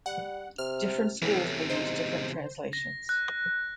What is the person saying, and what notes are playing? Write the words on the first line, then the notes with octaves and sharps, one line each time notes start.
Different schools will use different translations.
G3 F#5
C3 F6
E2 A2 C3 E3
D#4 C5
A#6
F#6